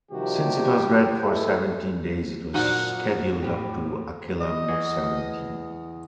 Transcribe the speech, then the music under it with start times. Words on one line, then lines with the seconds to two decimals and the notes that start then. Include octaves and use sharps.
Since it was read for seventeen days it was scheduled up to Akilam seventeen.
0.12 C3 D#3 F3 G3 F#4 G4
1.22 G#3 E4 A4 B4
2.54 F#2 A#2 F3 D#4 F#4 F#5
3.42 A2 G4
4.40 D#5
4.68 E2